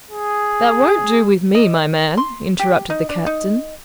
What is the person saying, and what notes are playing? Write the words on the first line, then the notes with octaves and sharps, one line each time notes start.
"That won't do with me, my man," interrupted the captain.
G#4
D#5
C6
G4
D#4
D4
D#4